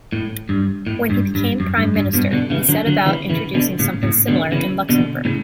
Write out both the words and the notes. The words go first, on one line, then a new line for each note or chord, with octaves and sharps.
When he became prime minister, he set about introducing something similar in Luxembourg.
A2
G2
A2
G2
G2
F#2
G2
G2
G2 B2
B2 D3
C#3 E3
D3 F#3
D3 F#3
C#3 E3
C#3 E3
B2 D3
A2 C#3
A2 C#3
B2 D3
C#3 E3
B2 D3
A2 C#3